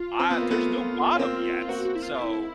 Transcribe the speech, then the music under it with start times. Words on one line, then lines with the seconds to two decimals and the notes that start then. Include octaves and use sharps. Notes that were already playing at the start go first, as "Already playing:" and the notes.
ah, there's no bottom yet, so,
Already playing: F4
0.19 C4
0.30 B3
0.41 A#3
0.51 A3 B3
1.15 C#4
1.19 A#3 C4
1.62 F4
1.68 A#3 C4 F#4
1.85 F#4
1.95 E4
2.02 F4
2.14 F4
2.19 E4